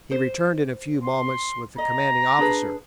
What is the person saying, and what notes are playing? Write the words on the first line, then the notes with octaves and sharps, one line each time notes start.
He returned in a few moments with the commanding officer.
C5
C6
D#5 A#5
D4 G#4 B4